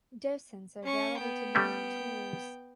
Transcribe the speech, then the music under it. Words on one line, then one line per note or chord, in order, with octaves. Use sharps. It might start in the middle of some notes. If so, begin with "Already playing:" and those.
Docents are available to lead tours.
C#4 C#6
B3 G5
G3 A3 C#4